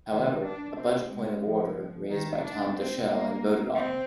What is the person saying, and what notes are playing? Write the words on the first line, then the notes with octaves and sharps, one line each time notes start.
However, a budget point of order raised by Tom Daschle, and voted on.
D#3
D4
C4
G#3
F3
D#3
D4
C4
A#3
C4